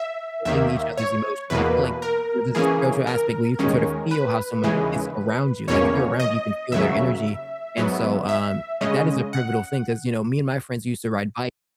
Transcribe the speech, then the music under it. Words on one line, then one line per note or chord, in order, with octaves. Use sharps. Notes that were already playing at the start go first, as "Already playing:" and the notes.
feeling each other's emotions. I feel like, you know, there's a spiritual aspect where you can sort of feel how someone is around you. Like if they're around you, you can feel their energy, and so, um, like that is a pivotal thing 'cause you know, me and my friends used to ride bi
Already playing: E5
D#2 D#3 A#3 E5
C#5
E2 B2 A#3 B4
A#4
C#3 E3 A#3 C#4 G#4
A#4
D#2 D#3 G#3 C#4
B4
D#2 C#3 E3 G#3
E2 B2 A#3 C#4 C#5
D#5
D#2 C#3 F#3 E5
G#2 F#3 B3
E5
C#3 G#3 C#4 D#5
F#5